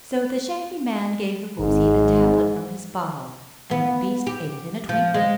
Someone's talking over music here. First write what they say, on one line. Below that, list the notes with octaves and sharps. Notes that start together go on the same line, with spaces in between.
So the Shaggy Man gave the Woozy a tablet from his bottle and the beast ate it in a twinkling.
G#1 G#2
B3
G4
F3
G#3